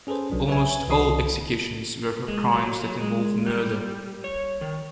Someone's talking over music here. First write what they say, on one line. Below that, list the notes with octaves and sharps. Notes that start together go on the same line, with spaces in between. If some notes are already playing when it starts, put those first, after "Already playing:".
Almost all executions were for crimes that involved murder.
C#4 G#4 A4 B4 C5
B1 F#3 D4
B4 C#5 E5 G#5
C2 D#3 F#4 D#5 D#6 C7
G#3
F#3
F#3
G#3
G3
C#5
D#3